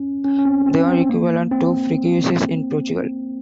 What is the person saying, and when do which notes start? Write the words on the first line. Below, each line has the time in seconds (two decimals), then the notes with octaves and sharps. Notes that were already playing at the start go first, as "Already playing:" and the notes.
They are equivalent to "freguesias" in Portugal.
Already playing: C#4
0.25 C#4
0.39 C#4
0.45 C4
0.66 C4
0.88 C4
1.09 A#3
1.52 C4